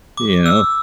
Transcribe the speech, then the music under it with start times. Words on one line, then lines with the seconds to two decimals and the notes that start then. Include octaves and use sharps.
You know?
0.17 D6
0.46 E6